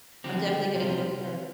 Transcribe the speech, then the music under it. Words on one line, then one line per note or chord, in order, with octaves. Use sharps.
I'm definitely gonna concur
D3 F3 C4 G4
C3 G3 F4